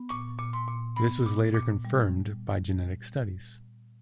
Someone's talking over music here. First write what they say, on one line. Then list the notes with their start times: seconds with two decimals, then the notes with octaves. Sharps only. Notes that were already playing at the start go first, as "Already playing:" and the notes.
This was later confirmed by genetic studies.
Already playing: B3
0.09 A#2 C#6
0.38 A#2
0.53 C6
0.68 A#2
0.96 B3 B5
1.26 A#2
1.55 A#2
1.85 G3